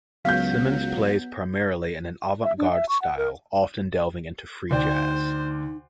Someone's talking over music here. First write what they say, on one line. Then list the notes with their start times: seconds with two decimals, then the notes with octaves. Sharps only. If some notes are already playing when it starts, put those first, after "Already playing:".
Simmons plays primarily in an avant-garde style, often delving into free jazz.
0.25 C#2 F#3 B3 F5 G6 B6
2.44 E5
2.58 D4
2.72 E5
2.89 C#6
3.02 F#5
3.17 A#4
4.71 D2 D#4 C5 D5 G5